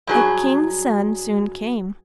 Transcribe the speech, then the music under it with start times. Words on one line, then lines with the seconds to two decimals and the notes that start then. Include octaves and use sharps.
A king's son soon came.
0.07 G2 F#3 G#4